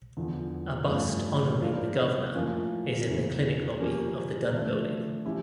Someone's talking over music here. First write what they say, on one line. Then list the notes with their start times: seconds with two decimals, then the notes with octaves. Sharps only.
A bust honoring the governor is in the clinic lobby of the Dunn Building.
0.17 E2 D3 F3
0.90 G2 F3 A3 C#4 F4
1.62 F3 A#3 D4 F4 A#4
2.34 A2 F3 A#3 C#4 F4
3.06 E2 C#3 E3 A#3
3.80 F3 A#3 C#4 G4
4.52 D3 F3 A3 D4
5.25 F3 C#4 E4 G4